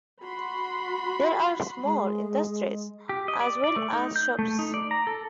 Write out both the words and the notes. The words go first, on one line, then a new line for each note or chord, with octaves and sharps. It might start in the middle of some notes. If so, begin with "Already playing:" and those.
There are small industries as well as shops.
F#4 B5 C6
G#3
G4
D#5
D5
D5
A3
D#4
G6
A3
D#4
D5
A#5
A4